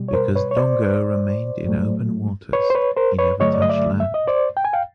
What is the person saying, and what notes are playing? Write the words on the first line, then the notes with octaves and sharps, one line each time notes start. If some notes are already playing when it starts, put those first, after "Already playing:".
Because Dongo remained in open waters, he never touched land.
Already playing: B2 G3
C#5
A#4 C5
B4 C#5
C#5
C5 D5
A2 F#3 A3
B4 C#5
C5
B4 C#5
A#4 C5
B4 C#5
G2 D3 F#3 A3 C#5 D#5
D5
D#5
D5 E5
E5
D#5
C5 D5
G5
G#5
F5 G5